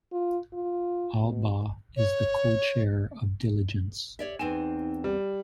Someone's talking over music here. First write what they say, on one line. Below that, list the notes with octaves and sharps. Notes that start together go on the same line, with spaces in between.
Allbaugh is the co-chair of Diligence.
F4
F4
B2
C#5
G4 C#5 D5 E5
E2 C4 D#4 G#5 E7
G3